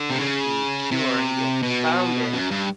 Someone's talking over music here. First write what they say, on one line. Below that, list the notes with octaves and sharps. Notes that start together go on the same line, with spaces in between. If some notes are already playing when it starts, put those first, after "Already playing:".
the cure he had found it,
Already playing: D3
C3
C#3
C3
B2
F#2
G2